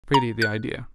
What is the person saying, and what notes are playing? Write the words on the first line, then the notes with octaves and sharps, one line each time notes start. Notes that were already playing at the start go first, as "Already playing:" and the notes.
Pretty, the idea!
A#5
F#6